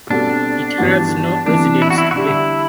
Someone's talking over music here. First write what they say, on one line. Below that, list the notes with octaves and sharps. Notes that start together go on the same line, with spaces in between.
It has no residents today.
B2 G3 C4 D4 F#4 A4
G2 E3 B3 F#4
C3 E3 B3 D4
E4
F#4
E4
F#4
D3 G3 D4 E4